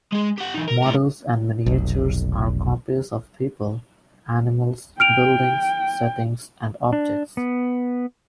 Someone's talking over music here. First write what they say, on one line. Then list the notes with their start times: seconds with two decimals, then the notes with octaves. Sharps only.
Models and miniatures are copies of people, animals, buildings, settings and objects.
0.13 G#3 G#4
0.38 G4 F#5
0.54 E3 D#4
0.68 A#4
0.82 A2 A#4
1.66 F1 B1
5.00 G5 F6 D7 F7
6.93 D4
7.37 B3